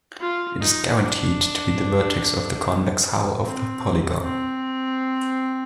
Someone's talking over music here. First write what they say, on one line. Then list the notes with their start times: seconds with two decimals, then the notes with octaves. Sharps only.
It is guaranteed to be the vertex of the convex hull of the polygon.
0.20 F4
0.61 D#4
1.00 D4
3.43 C4
4.23 C4